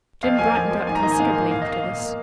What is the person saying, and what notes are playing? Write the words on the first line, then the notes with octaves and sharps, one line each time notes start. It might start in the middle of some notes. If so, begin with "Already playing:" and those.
Jim brightened up considerably after this.
F2 F5
F3 A#3 G#5
F2
F3 A#3
G#2 G#5
A#5
D#3 A#3 D#5
G#5
G#2 F5
D#3 A#3 G#5
A#2 F5
D#5
A#3 F5
A#2
A#3